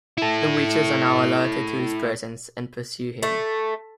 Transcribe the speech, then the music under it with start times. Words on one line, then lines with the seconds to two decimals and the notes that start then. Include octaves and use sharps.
The witches are now alerted to his presence and pursue him.
0.18 E4 A4
3.23 A3